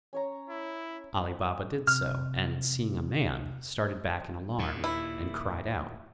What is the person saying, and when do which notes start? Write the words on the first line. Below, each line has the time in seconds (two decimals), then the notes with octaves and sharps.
Ali Baba did so, and seeing a man, started back in alarm, and cried out.
0.13 C#4 C#5 A#5
0.50 E4
1.87 C3 F6
4.58 D#2 A#2
4.84 E4